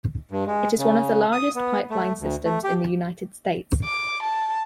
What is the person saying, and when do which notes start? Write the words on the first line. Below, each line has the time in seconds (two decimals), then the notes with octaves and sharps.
It is one of the largest pipeline systems in the United States.
0.31 G2
0.47 G#3
0.79 C#3
1.32 D#6
1.55 B3
1.90 A3
2.20 D2
2.45 A3
2.64 G4
3.84 D6
4.23 A5